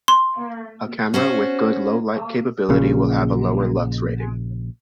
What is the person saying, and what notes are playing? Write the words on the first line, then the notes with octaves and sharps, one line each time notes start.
A camera with good low-light capability will have a lower lux rating.
C6
C#4 F#4 C5
A#1 A#2 C#3